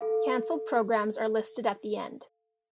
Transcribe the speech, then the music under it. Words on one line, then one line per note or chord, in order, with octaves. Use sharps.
Canceled programs are listed at the end.
A4 F5